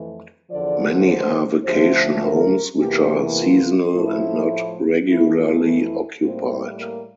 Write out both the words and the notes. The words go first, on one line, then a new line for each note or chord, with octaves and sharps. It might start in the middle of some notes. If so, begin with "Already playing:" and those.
Many are vacation homes which are seasonal and not regularly occupied.
Already playing: F2 E3 A3
E2 D3 F3 D5
C5
D2 D3 F3 A3 C5
A#4
E2 C3 E3 A#3 G4
F4
A2 F3 A3 E4
F2 E3 A3 E4
F4
E4
A2 G3 A#3 C4
A#3